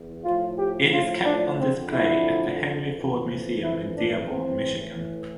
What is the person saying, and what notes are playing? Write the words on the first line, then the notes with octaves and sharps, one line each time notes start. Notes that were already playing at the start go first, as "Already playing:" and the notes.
It is kept on display at the Henry Ford Museum in Dearborn, Michigan.
Already playing: E2
A2 F3 F4
G4
F4
D4
F2 D3 F3 C4
E4
F2 E3
E4
D4
A2 E3 C4